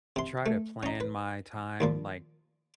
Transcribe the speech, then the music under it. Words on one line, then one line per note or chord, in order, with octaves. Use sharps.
try to plan my time, like,
C3 C6
A3
C#4 D#4
B4
D#2 A#2 F3